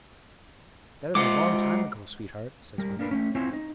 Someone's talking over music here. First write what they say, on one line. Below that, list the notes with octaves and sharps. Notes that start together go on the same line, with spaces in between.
"That is a long time ago, sweetheart," says Wendy.
G#3 F4 C5 D#5 F#5 D6
G3 A#4
A#3 D4 A#4 B4
A3 C#4
C4 E4 F4 C5 C#5 G#5
D#4